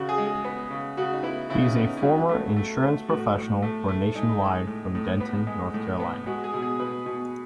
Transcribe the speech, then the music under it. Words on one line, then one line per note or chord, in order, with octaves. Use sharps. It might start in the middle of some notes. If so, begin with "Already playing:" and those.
He is a former insurance professional for Nationwide from Denton, North Carolina.
Already playing: C#3 F#4
G#4
G#3
G#4
B3
C#3
C#3 F#4
D#4
B3 E4
C#3 E4
D#4
C#4
B3 D#4
C#4
F#3 D#4
A3
A3
A3
A2 F#4
A2
A3
A3
G#3 D#4
G#3
A2
A2
B3
G#3
A2
B3
G#3 F#4
G#4
B2
G#4
B2 B4
B2